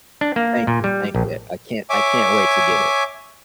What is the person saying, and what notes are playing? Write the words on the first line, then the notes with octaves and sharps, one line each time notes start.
Thank you, thank you, I can't I can't wait to get it.
D4
A#3
A#2
G3
A#1
C#5 E5 G#5 D6